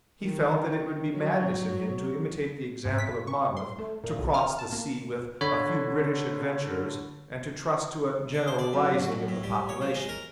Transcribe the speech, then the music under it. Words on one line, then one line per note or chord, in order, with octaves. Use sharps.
He felt that it would be madness in him to imitate the example of Monmouth, to cross the sea with a few British adventurers, and to trust to a general rising of the population.
D#3
F#3
G#2
B6
C#6
C6
A3
A#2
B1
F6
A5
A#3
D3 C#5 B5
D4
C5
D5
F#2
F#4
B1
A2
G3
C#5
F3
G#3
A#4